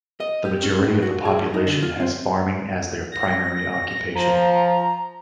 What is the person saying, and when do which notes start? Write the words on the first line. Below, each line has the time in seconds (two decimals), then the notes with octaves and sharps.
The majority of the population has farming as their primary occupation.
0.20 D#5
0.45 G4
0.63 C#4
0.84 A2
1.02 F#4
1.25 G#4
1.39 G3
1.54 D#4
1.67 D3
1.83 F4
2.00 C4
3.12 A#6
4.15 F3 A#5